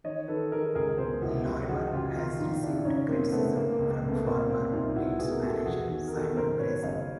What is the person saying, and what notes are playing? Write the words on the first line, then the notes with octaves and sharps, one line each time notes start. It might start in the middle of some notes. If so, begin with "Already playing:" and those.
Lorimer has received criticism from former Leeds manager Simon Grayson.
D#3 C#5 D#5
D#3 A4 B4
D#3 G#4 A#4
C#2 G#4 A#4
B2 A#4 C5
C#2 E4 F#4
F#1 F4 G4
F#1 F#4 G#4
C#3 F4 G4
D#3 D#4 F4
A#1 D#4 F4
D#3 D4 E4
C#3 C#4 D#4
F#1 A#3 C4
C#3 A3 B3
C#3 A#3
A#3
C#2
A#3
C#3
A3 B3
A#2 A#3 C4
A#2 A#3 C4
C2 D#4 F4
B2 E4 F#4
B2 F#4 G#4
A#4
B2 G4 A4
E1 F#4 G#4
D#3
A#4
D#3 G4 A4
F#1 A#4 C5
B2 B4 C#5
F#1 D#5 F5